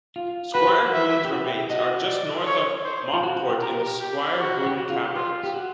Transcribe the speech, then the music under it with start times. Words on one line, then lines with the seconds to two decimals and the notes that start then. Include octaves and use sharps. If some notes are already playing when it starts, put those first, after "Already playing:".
Squire Boone's remains are just north of Mauckport in the Squire Boone Caverns.
0.16 F4
0.54 F#4 B4
0.67 G4
0.80 F#4
0.93 E5
1.25 G4
1.31 F#4
1.45 G4
1.57 G4
1.70 F#4 D#5
2.08 D5
2.47 C#5
2.85 C5
3.13 F4
3.23 F#4
3.36 F#4
3.49 G4
3.62 G4 A#4
4.00 G4
4.39 F#4
4.66 G4
4.77 F#4
4.90 F4
5.03 G4
5.16 F4
5.43 G4
5.54 F#4